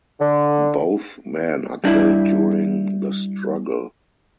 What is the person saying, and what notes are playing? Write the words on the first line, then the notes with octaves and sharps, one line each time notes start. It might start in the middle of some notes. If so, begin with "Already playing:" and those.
Both men are killed during the struggle.
D3
G3 D4 E4